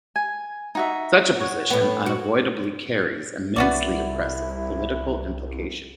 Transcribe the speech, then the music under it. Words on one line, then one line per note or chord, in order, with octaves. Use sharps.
Such a position unavoidably carries immensely oppressive political implications.
G#5
D#4 F#4 E5
C#5 F#5
A2 B3
F#4
C2 B3 E4 F#4 D5